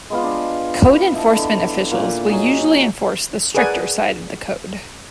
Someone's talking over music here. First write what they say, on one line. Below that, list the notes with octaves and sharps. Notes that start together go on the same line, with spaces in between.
Code enforcement officials will usually enforce the stricter side of the code.
G#3 B3 F4
D4
E4 D#5 A5
D3
A#2
F#3 D#4 G#4
G#4 A#4 B4 D5 F#5 G#5